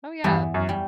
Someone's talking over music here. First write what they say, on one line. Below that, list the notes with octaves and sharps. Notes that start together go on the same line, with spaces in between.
Oh, yeah.
E2 G2
F#2
G3